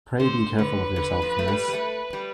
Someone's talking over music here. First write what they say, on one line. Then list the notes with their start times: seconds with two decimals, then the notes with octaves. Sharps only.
Pray be careful of yourself, miss.
0.19 D3 C5
0.58 D3 B4
0.96 D3
1.22 F3
1.39 A3
1.48 G3
1.68 G3
1.73 A3
2.13 G3